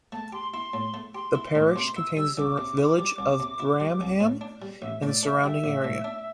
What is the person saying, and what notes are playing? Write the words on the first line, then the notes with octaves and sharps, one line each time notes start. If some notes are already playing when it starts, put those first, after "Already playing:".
The parish contains the village of Bramham and the surrounding area.
A3 A5
G4 C6
E4 C6
A2
A3
G4 C6
E4
A2
D6
C3 C6
E4 E6
G3 E6
C2 D6
C3
E4
G3
C2
C3
E4
G3
C2
A2
D4
G3
A1 E5
A2 D5
D4 E5
G3 E5 G5
A1
A2
D4